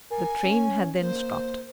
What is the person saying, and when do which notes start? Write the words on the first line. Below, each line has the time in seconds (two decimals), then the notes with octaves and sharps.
The train had then stopped.
0.11 A#4 G#5
0.46 C#4
1.00 A#3 C5